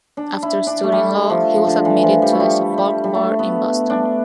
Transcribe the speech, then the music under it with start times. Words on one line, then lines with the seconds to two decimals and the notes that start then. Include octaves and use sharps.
After studying law, he was admitted to the Suffolk Bar in Boston.
0.17 D4
0.43 E4
0.67 D4
0.83 A3
0.92 G3
1.30 F3
1.67 D3
1.85 E3
2.03 F3
2.22 G3
2.32 A3
2.40 G3
2.78 G3
3.04 G3
3.15 A3
3.39 B3
3.90 D4